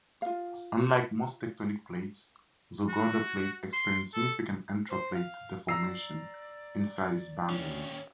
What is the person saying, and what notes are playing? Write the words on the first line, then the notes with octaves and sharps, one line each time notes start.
Unlike most tectonic plates, the Gorda Plate experiences significant intraplate deformation inside its boundaries.
F4 F5
F#4
C6
A4
C5
F5
D5 A#5 E6 C7
D#2 C#4